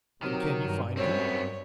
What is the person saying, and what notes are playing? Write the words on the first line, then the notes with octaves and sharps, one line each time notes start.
"And can you find him?"
C3 D#3 F#3
G2
F#2 B3 C4 C#5